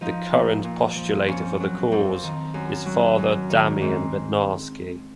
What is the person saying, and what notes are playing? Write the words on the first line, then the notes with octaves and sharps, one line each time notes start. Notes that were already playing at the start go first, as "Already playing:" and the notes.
The current postulator for the cause is Father Damian Bednarski.
F3 D#4
A#2
A#2
F3
F2 C#4
F#3
F2 C4
D#3
F#2
F#3
F#2
D#3
G#2 C4